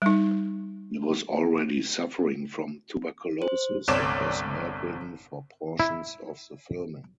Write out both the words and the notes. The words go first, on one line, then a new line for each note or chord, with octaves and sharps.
He was already suffering from tuberculosis and was bedridden for portions of the filming.
G3 D#4
C5
G1 C2 C4 C#5 D5 E7
E4